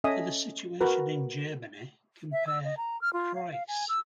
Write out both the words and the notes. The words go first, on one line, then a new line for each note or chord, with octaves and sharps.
For the situation in Germany compare "Kreise".
C#4 A4 D#5 E5 G#5 D#6
F#4 A#4 B4
E5
E6
D#5
A#5
F6
F4
F5
F5
G#5
E6